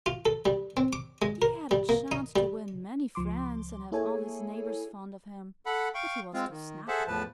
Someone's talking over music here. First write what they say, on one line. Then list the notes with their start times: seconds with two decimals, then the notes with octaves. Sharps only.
He had a chance to win many friends and have all his neighbors fond of him, but he was too snappy.
0.06 F4
0.26 A4
0.46 G3
0.77 C4
0.93 D6
1.22 G#3
1.42 A#4
1.71 G3
1.89 A#3
2.12 D#4
2.36 G3
3.15 C#2 F3 C6 D6
3.92 A#3 E4 G#4 A4 C#5 G#5
5.66 A4 F#5 B5
5.95 F5 G5 C#6
6.34 G#3 C4 F4
6.50 D#3
6.88 G#4 A4 C5 E5 F#5 A5
7.08 E2 A2 F3 B4 A5